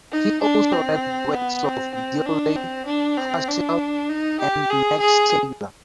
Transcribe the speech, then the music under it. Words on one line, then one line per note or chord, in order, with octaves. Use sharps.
He also read the works of Dilthey, Husserl, and Max Scheler.
D#4
D4
C4
B3
C4
C4
D4
C4
D4
C4
D4
D#4
G4
G#4
G#4